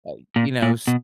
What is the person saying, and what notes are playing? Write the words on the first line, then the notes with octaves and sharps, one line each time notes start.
uh, you know s
A#2
A#2
B2